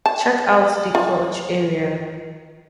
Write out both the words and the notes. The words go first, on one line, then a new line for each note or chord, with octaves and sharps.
Check out the crotch area.
A5
F4